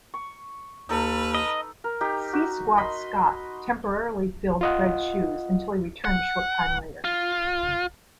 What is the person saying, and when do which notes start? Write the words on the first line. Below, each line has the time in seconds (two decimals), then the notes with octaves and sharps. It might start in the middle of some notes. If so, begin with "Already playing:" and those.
C Squat's Scott temporarily filled Fred's shoes until he returned a short time later.
0.14 C#6
0.89 D#2 D#4 A4 B4 A#5 F6
1.35 D#5
1.84 A#4
2.01 D#4 G4
2.33 F#4
2.78 D#5 B5 C6
4.61 F4 D#5 F#5
6.05 F#5
7.04 F4